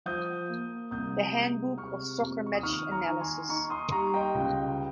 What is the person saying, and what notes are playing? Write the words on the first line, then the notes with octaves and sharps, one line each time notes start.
The Handbook of Soccer Match Analysis.
F3 D#6 G6
A#3
C2 D#6 G6
G#3
C3 C#6 F6
F2
C#6
D#6
D#3 C#6 F6
A#5 C#6
D#3
G#5 C6
D#4 A#5 C#6
C6 D#6
G3 A#5 C#6
D#5 G5
C#2